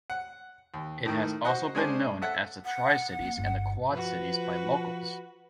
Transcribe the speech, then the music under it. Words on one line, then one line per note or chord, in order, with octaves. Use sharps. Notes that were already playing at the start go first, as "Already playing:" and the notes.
It has also been known as the Tri-Cities and the Quad-Cities by locals.
F#5
D#2
A2 D#3 A3
F#4 C5 D#5 F#5
G#3 C#4 D4 C5 G#5
A4 E5 F#5
F#5
A#3
G1 F4
F3 F#4 B4